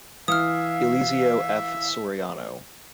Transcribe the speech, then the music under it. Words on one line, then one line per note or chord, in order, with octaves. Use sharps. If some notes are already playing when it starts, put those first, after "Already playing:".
Eliseo F. Soriano.
E3 E5 F5 D#6 F6